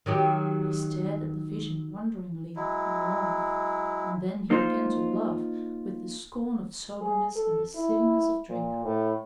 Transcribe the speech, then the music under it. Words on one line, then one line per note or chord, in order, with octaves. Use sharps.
He stared at the vision wonderingly and long, and then he began to laugh with the scorn of soberness and the silliness of drink.
D#3 F#3 G4
F#3 G#3 E4
A#3 D#4 F4 C5
G#4
A4
E4
A#2
A2